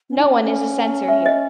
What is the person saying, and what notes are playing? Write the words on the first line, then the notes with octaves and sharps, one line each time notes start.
No one is a censor here.
C#4
D#4
C#4
C#4
E5
D#5